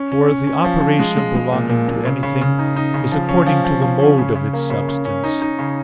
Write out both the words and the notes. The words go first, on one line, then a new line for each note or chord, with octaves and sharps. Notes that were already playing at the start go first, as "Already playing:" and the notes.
For the operation belonging to anything is according to the mode of its substance.
Already playing: C#4
C#4
C#4
C#4
F3
F3
G#3
G#3
G#3
A#2
A#2
A#2
C#3
C#3
C#3
D#4
D#4
C#3
F3
C#4
F3
F3
F3
C#4
C#3
C#3
A#3
C#3
C#3
C#4
D#4
D#4
C#3